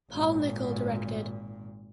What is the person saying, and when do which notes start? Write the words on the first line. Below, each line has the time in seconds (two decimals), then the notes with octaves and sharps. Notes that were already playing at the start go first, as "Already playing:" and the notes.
Paul Nickell directed.
0.11 G#1 A#2